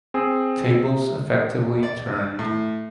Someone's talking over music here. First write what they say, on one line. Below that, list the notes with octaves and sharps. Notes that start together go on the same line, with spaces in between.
Tables effectively turned.
C4 G#4
D5
A2